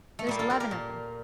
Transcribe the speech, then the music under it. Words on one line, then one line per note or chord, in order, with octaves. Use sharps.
There's eleven of them.
A3
A#2 G3 A#3
F4 A4
G4 A#4
G4 A#4
A#2